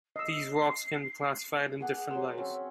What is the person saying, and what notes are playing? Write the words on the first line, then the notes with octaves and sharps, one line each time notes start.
These rocks can be classified in different ways.
D#5 E6 C7
G#4 F#5 D6 D#6
F#3 C5 C6
C4 C#4 E5